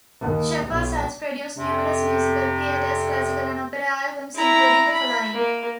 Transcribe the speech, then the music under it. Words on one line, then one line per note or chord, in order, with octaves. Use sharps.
Shepard has produced numerous musical theatre, classical and opera albums, including the following.
D#2
B1
F2 C3
E4 A#5
B5
A#3